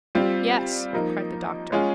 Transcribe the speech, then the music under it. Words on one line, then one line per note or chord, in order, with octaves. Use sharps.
"Yes," cried the doctor.
G3 C4 F4
F3 A#3 D#4
G#3 C#4 F4 G#4